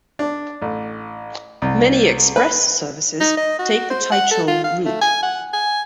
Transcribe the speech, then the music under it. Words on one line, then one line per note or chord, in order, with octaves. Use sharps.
Many express services take the Taichung route.
D4
A1
C2
B4
D#4
D#5
F#4
C5
F#5
A4
F4
F5
A3
G#5
F#5
G#5